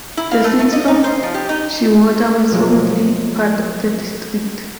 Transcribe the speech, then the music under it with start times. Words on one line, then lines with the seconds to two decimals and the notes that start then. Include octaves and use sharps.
The city of Shimoda was formerly part of the district.
0.17 E4
0.32 F5
0.44 A3
0.59 A3
0.73 D#5
0.88 D#4
1.04 C5
1.23 F3
1.34 G4
1.49 D#4
2.52 B2 F3 F#3 G#3 A3 F4